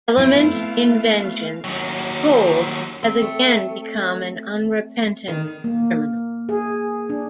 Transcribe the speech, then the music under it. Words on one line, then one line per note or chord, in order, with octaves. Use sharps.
Element in vengeance, Cold has again become an unrepentant criminal.
A3 B3 C4 E4 F5
D#2 F#3
C4
A3
D#3
A#3
G#4
D4